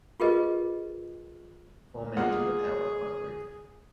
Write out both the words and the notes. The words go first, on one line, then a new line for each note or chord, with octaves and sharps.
Four men do repair work on a roof.
F4 G4 G#4 A#4 B4 D#5
A#3 F4 G#4 F#5